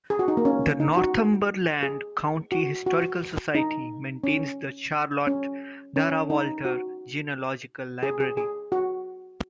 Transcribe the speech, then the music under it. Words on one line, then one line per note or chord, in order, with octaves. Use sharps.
The Northumberland County Historical Society maintains the Charlotte Darrah Walter Genealogical Library.
G#4
F#4
D#4
A#3
C#4
D#4
F#4
G#4
F#4
F#4
D#4
C#4
C#4
C#4
D#4
F#4
G#4
G#4
G#4
F#4